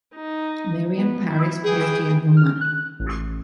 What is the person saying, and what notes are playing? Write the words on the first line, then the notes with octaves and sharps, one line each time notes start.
Mariam Parris plays the young woman.
D#4
B3
E4
E3 G#4 G5
F6
F#6
A1